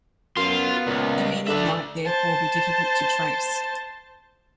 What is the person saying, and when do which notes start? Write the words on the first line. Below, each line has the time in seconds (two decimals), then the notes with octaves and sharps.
The meaning might therefore be difficult to trace.
0.37 F#2 B3 F4 C6
0.87 C#2 A#2
1.47 D3 D4 E5
2.05 C5 A5